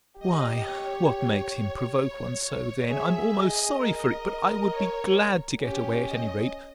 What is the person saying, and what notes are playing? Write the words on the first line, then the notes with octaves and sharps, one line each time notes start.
Why what makes him provoke one so, then?--I'm almost sorry for it; but I would be glad to get away at any rate.
G4 D#5
C#5
G#4 E5
D#5
A#4 D#5
C#5
C#4 G4
D#5